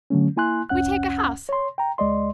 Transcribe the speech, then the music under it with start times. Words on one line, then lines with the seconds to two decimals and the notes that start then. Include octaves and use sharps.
We take a house.
0.10 D3 F#3 A3 C#4
0.36 A#3 E4 G#5 C6 F#6
0.69 C2 F2 C#4 F#5 F#6
1.49 C#5 C6
1.78 G5 A#5
1.98 C#2 G#3 D5 D#5 C6